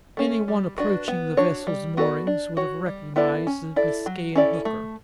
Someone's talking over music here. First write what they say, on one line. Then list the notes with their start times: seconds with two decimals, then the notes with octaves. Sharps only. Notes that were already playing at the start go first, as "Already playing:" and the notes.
Any one approaching the vessel's moorings would have recognized a Biscayan hooker.
0.17 A3 C#4
0.48 G3
0.78 D4 F#4 B4
1.08 B3
1.37 D4 F#4 C#5
1.67 G3
1.97 B3 F#4 A4 D5
2.27 D4
2.57 F#4 C#5
2.86 G3
3.16 B3 E4 A4 D5
3.47 C#4
3.76 E4 A4 D5
4.06 F#3
4.35 C#4 E4 A4 D5
4.65 A3